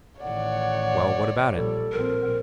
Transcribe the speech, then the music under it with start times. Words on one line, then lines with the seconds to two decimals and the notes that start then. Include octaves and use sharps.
"Well--what about it?"
0.21 A1 D#3 C#5 D5 F#5
1.55 A#1 G3 A4
1.92 A#1 C4 A#4